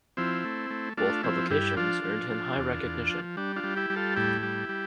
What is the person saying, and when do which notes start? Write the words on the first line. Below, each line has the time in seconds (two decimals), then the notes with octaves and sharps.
Both publications earned him high recognition.
0.17 F3 C4 E4
0.45 A3
0.70 A3
0.97 A3 D4 F4
1.23 F3 C4 E4
1.50 G2 E4 G4
1.77 F3 D4 F4
2.04 F3
2.30 F3
2.56 E2
2.84 E2
3.10 F3
3.37 G3 D4
3.56 D4 F4
3.64 G3
3.76 E4 G4
3.90 G3
3.96 F4 A4
4.16 A2 E4 G4
4.43 G3
4.69 G3